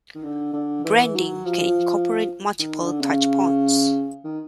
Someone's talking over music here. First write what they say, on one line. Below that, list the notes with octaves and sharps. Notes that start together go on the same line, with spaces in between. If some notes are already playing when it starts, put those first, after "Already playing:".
Branding can incorporate multiple touchpoints.
D#3
D3
D3
E3
F#3
F3
D#3
D3
C#3
D#3